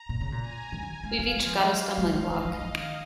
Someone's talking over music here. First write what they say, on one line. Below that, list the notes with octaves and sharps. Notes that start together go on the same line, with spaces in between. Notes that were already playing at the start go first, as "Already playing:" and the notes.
We’ve each got a stumbling block.
Already playing: A#5
A#2
C#3
A#2
G#5
D#3
D#3
G#3 F5
A#3
G#3 F5
F3
G#3
G#3
G#3
G#3 D#5
F3
D#3